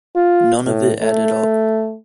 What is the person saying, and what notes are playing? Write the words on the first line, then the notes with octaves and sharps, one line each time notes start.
None of it added up.
F4
A2
A3